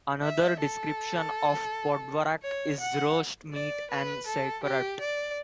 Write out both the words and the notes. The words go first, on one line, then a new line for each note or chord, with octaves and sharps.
Another description of podvarak is roast meat en sauerkraut.
E5
A4
C#5
F#5
D5
B4
A4
G4
D5